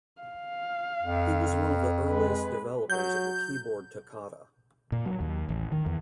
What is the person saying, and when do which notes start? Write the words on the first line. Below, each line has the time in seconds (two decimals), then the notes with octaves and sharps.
He was one of the earliest developers of the keyboard toccata.
0.21 F5
1.03 F2
2.09 G#3 B4
2.90 F#3 G6
4.92 A#2
5.06 F#3
5.20 D#2
5.49 A1
5.72 D#3
5.86 E2